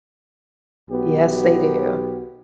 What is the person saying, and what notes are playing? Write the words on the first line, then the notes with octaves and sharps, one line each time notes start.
Yes, they do.
B1 B3 F#4 G4